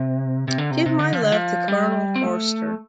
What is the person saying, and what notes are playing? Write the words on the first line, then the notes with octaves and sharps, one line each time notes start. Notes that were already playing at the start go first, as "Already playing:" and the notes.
Give my love to Colonel Forster.
Already playing: C3
C3
D3
C3
C3
D3
F3
D3
F3
G3
C4
A3